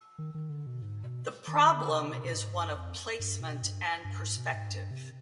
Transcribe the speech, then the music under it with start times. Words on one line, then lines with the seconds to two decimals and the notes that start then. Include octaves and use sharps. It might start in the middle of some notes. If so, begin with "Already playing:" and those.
The problem is one of placement and perspective.
0.18 D#3
0.34 D#3
0.50 D3
0.67 B2
0.82 G#2
1.04 B2
1.47 D#3
1.68 D3
1.90 C3
2.12 B2
2.24 B2
2.33 G#2
2.54 G2
2.75 F2
3.19 G2
3.40 B2
3.62 G2
4.05 G2
4.21 G#2
4.37 B2
4.54 G#2
4.69 G2
4.91 C3